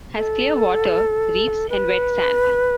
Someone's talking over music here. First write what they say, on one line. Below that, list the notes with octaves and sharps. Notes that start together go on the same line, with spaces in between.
Has clear water, reefs and wet sand.
A4
B4